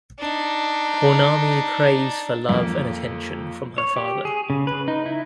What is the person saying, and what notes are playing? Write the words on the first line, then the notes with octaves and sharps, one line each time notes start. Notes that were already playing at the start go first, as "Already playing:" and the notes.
Pournami craves for love and attention from her father.
D4 D#4
F2 A#3
C#5
G4
G#4
C#3
B4
D#4
E4